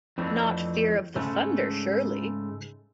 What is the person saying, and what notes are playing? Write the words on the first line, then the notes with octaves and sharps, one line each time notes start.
Not fear of the thunder, surely?
F2 E3 A3 C4 D4
G#2 C#3 G#3 A3